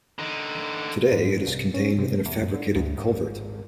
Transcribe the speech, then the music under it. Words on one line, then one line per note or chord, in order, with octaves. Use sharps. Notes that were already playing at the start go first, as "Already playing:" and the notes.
Today it is contained within a fabricated culvert.
D3 D#4
G#2
C2
C#4
C3
E2
F#2
D3
D2
G#1